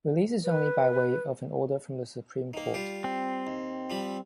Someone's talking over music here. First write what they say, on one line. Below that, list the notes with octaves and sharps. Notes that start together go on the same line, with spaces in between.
Release is only by way of an order from the Supreme Court.
B4
D#3 A#3
G3 F4 G4
C4
D#2
F3 G3 B5